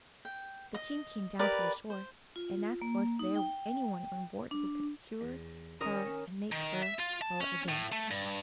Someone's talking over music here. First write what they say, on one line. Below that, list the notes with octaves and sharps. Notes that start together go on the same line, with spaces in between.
The King came down to the shore, and asked was there anyone on board who could cure her and make her well again.
G5
D#5
G4 A#4 B4 D5
C5
F4
A#3
D#4
G5
D4
E2
D#3 C#4 A#4 D#5 D#6
D#3
E5
F4
A5
C#4
A2
A3
G2